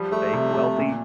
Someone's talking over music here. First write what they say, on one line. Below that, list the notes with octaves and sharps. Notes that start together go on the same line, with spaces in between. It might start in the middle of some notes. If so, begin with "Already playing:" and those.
fake wealthy.
Already playing: F3 G3
G3 A3
C3
C3
A#2